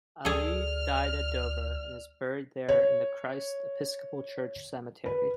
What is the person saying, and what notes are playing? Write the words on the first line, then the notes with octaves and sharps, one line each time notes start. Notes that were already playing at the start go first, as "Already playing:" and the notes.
Allee died at Dover and is buried there in the Christ Episcopal Church Cemetery.
D2 G#4 A4 D5 F6
C#5
B4